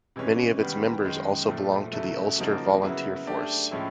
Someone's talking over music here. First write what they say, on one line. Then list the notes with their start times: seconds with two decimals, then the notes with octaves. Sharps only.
Many of its members also belonged to the Ulster Volunteer Force.
0.16 C3 E3 G#3 C#4
0.59 D#3 G3 B3
1.04 F#2 D#3 G#3
1.48 A#2 F3 A3
1.93 E2 C#3 F#3 A3
2.38 C#3 F3 A#3 D#4 F#4
2.82 C#3 F#3 B3 E4
3.27 A3 D4 G4
3.71 A2 F3 G#3 C#4 E4